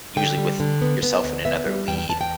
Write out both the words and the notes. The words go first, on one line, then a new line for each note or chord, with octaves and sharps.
usually with yourself and another lead.
D3 G5
G3
D3
B3
B3
D2
B3 E5
G3
E2 G5
G5
E2 A5
G5